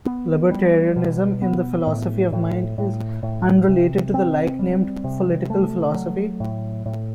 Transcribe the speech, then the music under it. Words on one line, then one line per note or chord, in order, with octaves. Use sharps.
Libertarianism in the philosophy of mind is unrelated to the like-named political philosophy.
B3
G3
B2
B3
A2
A2
A2
A2
C3
C4
G3
C3
A3
F#3
A2
A2